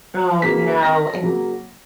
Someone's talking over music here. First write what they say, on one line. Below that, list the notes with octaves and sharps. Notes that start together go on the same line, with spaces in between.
Oh, no, and
C#3 F#3 A#3 B6
A#6
C#3 F#3 A#3